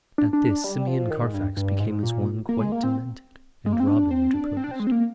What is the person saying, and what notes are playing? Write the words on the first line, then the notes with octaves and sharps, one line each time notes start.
At this Simeon Carfax became as one quite demented, and Robin interposed.
D4
D4
G3
F3
D#3
G#2
G2
G2
G#2
A#2
A#3
G#3
A#3
C4
G#3
A#3
C4
D4
C4
D4
C4
D4
C4
G#3
C4
A#3